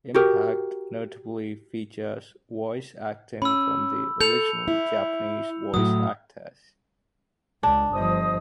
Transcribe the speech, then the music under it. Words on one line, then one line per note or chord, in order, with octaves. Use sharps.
"Impact" notably features voice acting from the original Japanese voice actors.
F#4 G4 A#4
C#4 B5 E6
A4 G6 C#7 F7
E4
A2 F#3 D#6
C#2 D4
G1 F3 C5 D#5 D#6